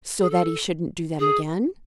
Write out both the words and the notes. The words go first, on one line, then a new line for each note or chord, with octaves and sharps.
"So that he shouldn't do them again?"
G#4
A4
G#4